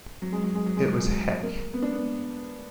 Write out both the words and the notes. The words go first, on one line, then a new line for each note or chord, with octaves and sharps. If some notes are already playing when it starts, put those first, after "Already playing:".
It was heck.
F#3
G#3
F#3
G#3
F#3
G#3
F#3
G#3
F#3
A#3
B3
D4
B3